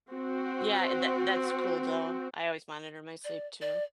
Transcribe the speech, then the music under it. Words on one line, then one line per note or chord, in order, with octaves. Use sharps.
Yeah, e that that's cool, though. I always monitor my sleep too.
C4 F#4
D5
D5